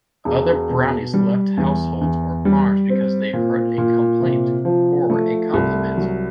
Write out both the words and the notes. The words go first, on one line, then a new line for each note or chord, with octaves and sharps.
Other brownies left households or farms because they heard a complaint, or a compliment.
E1
B2
G3
E2
E2
G3
C4
A#2
A#2
C3
F3
A3
C2
F#3